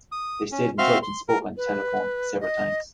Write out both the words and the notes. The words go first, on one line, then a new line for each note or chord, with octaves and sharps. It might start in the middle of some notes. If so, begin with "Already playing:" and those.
They stayed in touch and spoke on the telephone several times.
D#6
C#4
C4 F#4 E5 F5 C6 F6
C6
A#4
B4
D#5